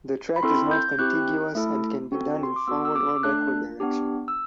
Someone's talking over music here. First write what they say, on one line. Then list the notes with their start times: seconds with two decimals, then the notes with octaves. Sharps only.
The track is not contiguous and can be done in forward or backward direction.
0.36 B5
0.43 C4 E4 A4 C6
0.71 G6
0.99 C4 E4 G4 F#6
1.55 A3 E4 A4
2.12 C4 F#4 A4
2.43 C6
2.56 D6
2.67 B3 F#4 A4 E6
2.85 E6
2.95 D6
3.23 A3 D4 A4 F#6
3.80 B3 D4 G4
4.28 E6